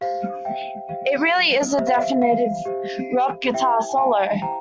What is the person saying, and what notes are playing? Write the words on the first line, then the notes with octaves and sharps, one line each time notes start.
It really is the definitive rock guitar solo.
G4 C5 F5
E5 G5
G4 C5 F5
G4 C5 E5
F5
E5
F5
G4 C5
E4 G4 C5 E5 G5
G5
F5 A5
E4 G4 C5 G5 A#5